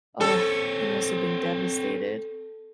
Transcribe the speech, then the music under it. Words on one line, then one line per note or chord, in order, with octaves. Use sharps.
oh, he must have been devastated.
C4 A4 C#5